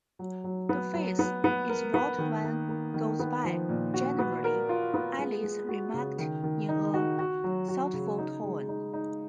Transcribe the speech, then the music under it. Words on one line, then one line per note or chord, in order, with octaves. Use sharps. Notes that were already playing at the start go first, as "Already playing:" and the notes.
"The face is what one goes by, generally," Alice remarked in a thoughtful tone.
F#3
F#3
B3
F#3
B3
B3
A#4
B3
D#3
A#3
A#3
D#3
B3
F3
A#2
F#4
B3
A#4
F4
B3
G#3
G#3
F#4
C#3
D#3
D#3
D#4
F#4
F#4
F#3
F#4
C#3
D#4
G#3
D#4
D#4